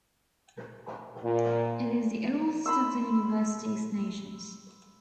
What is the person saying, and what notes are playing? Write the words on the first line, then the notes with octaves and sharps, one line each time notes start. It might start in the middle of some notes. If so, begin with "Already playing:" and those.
It is the oldest of the university's nations.
A#2
B5 C6 E6